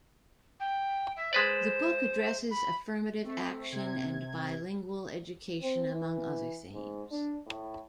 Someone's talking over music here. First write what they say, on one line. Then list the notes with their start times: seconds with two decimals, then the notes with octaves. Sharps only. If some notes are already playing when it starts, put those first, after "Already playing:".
The book addresses affirmative action and bilingual education, among other themes.
0.60 G5
1.16 E5
1.33 G#3 B4 C5 D5
2.51 B5
3.24 A3 C4
3.72 C3 G#6
5.61 C4
5.93 E3
6.74 G#2
7.11 D4
7.46 A2